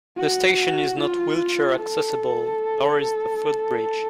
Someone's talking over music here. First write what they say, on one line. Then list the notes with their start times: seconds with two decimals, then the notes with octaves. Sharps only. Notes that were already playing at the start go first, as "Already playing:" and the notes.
The station is not wheelchair-accessible, nor is the footbridge.
0.18 F#4
1.00 F4
1.82 A4